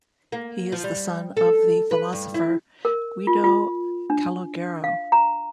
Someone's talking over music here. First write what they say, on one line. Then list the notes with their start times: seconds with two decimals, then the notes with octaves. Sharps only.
He is the son of the philosopher Guido Calogero.
0.32 A#3
0.72 F3
0.84 G3
1.37 A4
1.91 B4
2.13 G2
2.34 E4
2.85 A#4
3.27 F4
3.44 F4
4.10 D4
4.84 F5
5.12 A#5